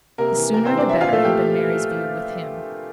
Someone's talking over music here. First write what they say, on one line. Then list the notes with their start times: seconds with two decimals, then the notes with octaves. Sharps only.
The sooner the better had been Mary's view with him.
0.18 C3 A#3 A#4
0.36 E3
0.53 C3 A#3 A#4
0.65 C4 C5
0.71 E3
0.77 D4 D5
0.89 F3 E4 E5
1.01 F4 F5
1.07 A#2
1.13 A3 A4
1.24 F3 G4